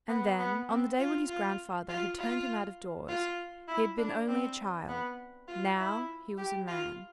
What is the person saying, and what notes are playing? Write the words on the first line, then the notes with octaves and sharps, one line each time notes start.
And then, on the day when his grandfather had turned him out of doors, he had been only a child, now he was a man.
B3
B3
C4
F4
F4
F4
F4
F4
E4
D4
C4
B3
F4
E4
G4
F4